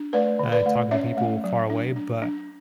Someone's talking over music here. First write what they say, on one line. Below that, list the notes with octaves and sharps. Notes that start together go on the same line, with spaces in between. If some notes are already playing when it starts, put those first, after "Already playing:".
eh, talking to people far away, but,
Already playing: D4
A3 B4 D5
D3
B4 D5
A3
C#4 C#5 E5
A3
F#3
D4
D4
D4